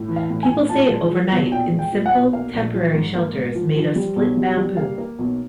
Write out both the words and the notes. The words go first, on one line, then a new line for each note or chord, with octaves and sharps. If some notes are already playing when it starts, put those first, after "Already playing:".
People stayed overnight in simple, temporary shelters made of split bamboo.
Already playing: A2
E3
F5
A2
G#5
A2
A#2 A5
G#3
F3
B1
A#2 G5
G#3
G5
A#2
F#5
B1
A#3 F5
A#1
F3
G#2
A#3
G#2
F3
F3
G3
B1
G3
G3
A#3 F5
A#3
B1